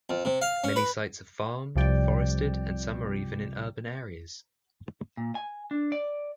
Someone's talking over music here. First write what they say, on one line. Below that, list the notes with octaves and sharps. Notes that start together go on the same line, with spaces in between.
Many sites are farmed, forested and some are even in urban areas.
F2
C3
F5
C#4
B4
C2 C3 F3 G3 D5 G5
A#2
G#5
D4
D5